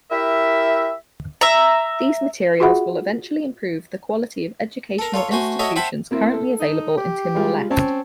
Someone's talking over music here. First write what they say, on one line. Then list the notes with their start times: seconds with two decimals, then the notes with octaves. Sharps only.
These materials will eventually improve the quality of educational institutions currently available in Timor-Leste.
0.11 E4 G4 A#4 E5
1.41 E5 A#5
2.60 F4 F#4 G#4 E5 F#5 B5
4.99 A4 A#4
5.14 F4 A4 C#5
5.31 A3 F#4 C5 G#5
5.59 E4 F#4 A4 C#5 D#5 E5
5.76 C5 E5 F#5 G5 A5 B5
6.11 A#3 C4 E4
6.33 A4
6.60 D#4
6.97 G4
7.35 G3 G#3 F4
7.71 C4 C#4 A5